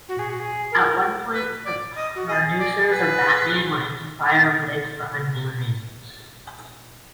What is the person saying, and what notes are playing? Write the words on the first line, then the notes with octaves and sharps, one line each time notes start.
At one point, the producers of "Batman" wanted to fire Blake for unknown reasons.
F#4
G#4
F#4
G#4
A#4
B4
D5
D#5
F#4
G#4 D#5
D5
B4